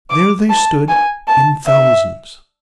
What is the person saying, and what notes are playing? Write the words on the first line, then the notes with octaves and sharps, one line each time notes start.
There they stood in thousands.
D6
A5
G#5
A5
E5